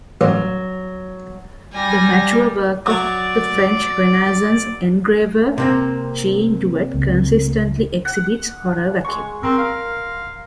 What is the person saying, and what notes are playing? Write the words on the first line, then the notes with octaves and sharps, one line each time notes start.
The mature work of the French Renaissance engraver Jean Duvet consistently exhibits horror vacui.
A1 F#3
G3 G#5 A#6
F#3 C#5 D5
C3 A#3 C4
C#2
F#5
G#3 C#6
C4 A#4 C6
F5